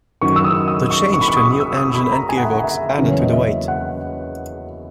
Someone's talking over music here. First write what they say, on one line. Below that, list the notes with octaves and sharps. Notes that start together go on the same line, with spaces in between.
The change to a new engine and gearbox added to the weight.
F#2 D#3 F#3 C#6
E6
D#6
D#6
C#6
C#6
B5
C#6
D#6
E6
D#6
B5
A#5
G#5
F#5
E5
F#5
E5
E2 C#3 F#3 A#3 C#4
C#5
D#5
E5
F#5